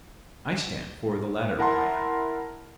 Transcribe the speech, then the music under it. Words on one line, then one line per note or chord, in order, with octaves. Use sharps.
I stand for the latter plan.
E4 A#4 F#5 A5 A#5 C6